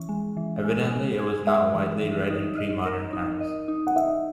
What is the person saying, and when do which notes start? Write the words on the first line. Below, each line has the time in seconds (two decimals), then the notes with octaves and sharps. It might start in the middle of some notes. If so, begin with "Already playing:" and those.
Evidently it was not widely read in pre-modern times.
Already playing: E3 C#4
0.09 G#3
0.37 E3
0.65 G#3
0.91 G#3
1.19 G#4
1.47 G#3 E5
1.74 E3
2.02 E3
2.30 D#4
2.58 D#5
2.85 A#4
3.13 D#4
3.40 D#5
3.68 D#4
3.87 F#5
3.96 D#4 E5